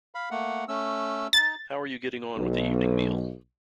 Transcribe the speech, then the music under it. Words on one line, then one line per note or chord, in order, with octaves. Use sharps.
How are you getting on with the evening meal?
F5 B5
A3 A#3 F#5
A3 C#4 E6
D#4 A6
B1